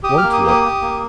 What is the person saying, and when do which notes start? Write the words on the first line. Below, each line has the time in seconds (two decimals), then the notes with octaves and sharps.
Won't look.
0.03 G4 D#6
0.18 A#3 F6
0.33 D#6
0.42 G4
0.48 D#6
0.62 G4
0.81 A#3